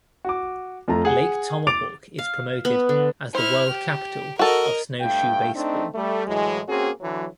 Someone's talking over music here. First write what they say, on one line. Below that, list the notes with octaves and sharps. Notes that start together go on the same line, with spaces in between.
Lake Tomahawk is promoted as the "World Capital of Snowshoe Baseball".
F#4 D6
F2 A3 F4 A#5
G#4 F#5
D6 A6 D7 F7
F5
B3
D3
E4 C5 F6
G4
F#4 A4 A#4 D#5
G2 A3 F5 G5
A3 C4 D4 D#4
G3 A3
A2 E3 F#3 G#3
A#3 C4 C#4 F#4 G#4
D3 E3 F#3